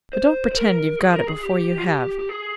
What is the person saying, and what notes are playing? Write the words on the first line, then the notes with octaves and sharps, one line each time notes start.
But don't pretend you've got it before you have.
C5
C5
A#4
G#4
A#4
G#4
G4
F4
G4
G4
G#4